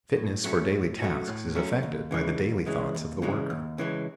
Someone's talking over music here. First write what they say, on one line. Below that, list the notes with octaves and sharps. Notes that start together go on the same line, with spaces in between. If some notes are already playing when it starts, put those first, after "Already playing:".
Fitness for daily tasks is affected by the daily thoughts of the worker.
A2
F#3 A3 C#4 F#4
A2
F#3 A3 C#4 F#4
A2
F#3 A3 C#4 F#4
D#2
C#3 E3 G#3
D#2
C#3 E3 G#3
D#2
C#3 E3 G#3
D#2
C#3 E3 G#3